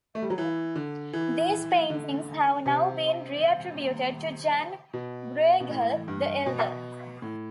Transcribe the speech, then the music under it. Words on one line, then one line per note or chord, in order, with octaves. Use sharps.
These paintings have now been reattributed to Jan Brueghel the Elder.
A3
G3
F#3
E3
D3
E3
D3
C3
B2
B2
A2
G2
B2
A2